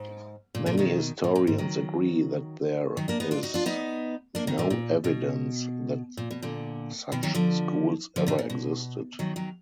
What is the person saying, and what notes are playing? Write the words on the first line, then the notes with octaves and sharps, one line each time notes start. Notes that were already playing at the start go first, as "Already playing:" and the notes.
Many historians agree that there is no evidence that such schools ever existed.
Already playing: G#2
A#2
A#2 D3
B2 D#3
A#2 D3
A#2
G#2
D#3 F#3
D#3 F#3
A#3 D4
B3 D#4
D4 F4
D#4 F#4
D4 F4
B3 D#4
A#3 D4
B2 D#3
A#2 D3
A#2
B2
A#2
B2
A#2 D3
B2 D#3
D#3 F#3
D3 F3
D3 F3
A#2 D3
A#2
B2
D#3 F#3
D#3 F#3